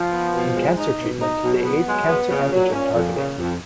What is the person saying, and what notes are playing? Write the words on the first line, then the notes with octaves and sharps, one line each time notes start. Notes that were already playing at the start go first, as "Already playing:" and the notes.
In cancer treatment they aid cancer antigen targeting.
Already playing: F3
B3
B2
G#3
D#4
B2
D#4
B2 F#3
B3
F#3 G#3
B3
A#2 C#3
F#3
C#4
F2
C#3
F2